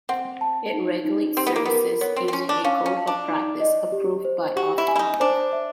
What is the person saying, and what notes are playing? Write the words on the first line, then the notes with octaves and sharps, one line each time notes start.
It regulates services using a Code of Practice, approved by Ofcom.
C4 F#5
A5
D#4
D#4
C4 G4
B3
A#3
B3 A#4
B3 C#5
C4
C4
C#4 C6
D4
C#4 F5
C#4
A5
D4
D#4
D#5
G4
C5
F#4 G4
E4
G#5
E4
D#4
D4 C5
E5